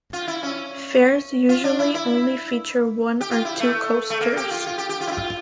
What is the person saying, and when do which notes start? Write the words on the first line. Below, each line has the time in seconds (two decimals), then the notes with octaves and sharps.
Fairs usually only feature one or two coasters.
0.13 F4
0.27 E4
0.43 C#4
1.49 F4
1.64 D4
1.79 E4
1.94 E4
3.21 G4
3.31 F4
3.45 E4
3.60 A3
4.10 A3
4.21 A#3
4.37 G4
4.51 F4
4.66 F4
4.78 G4
4.89 G4
5.00 F4
5.07 E4
5.12 F4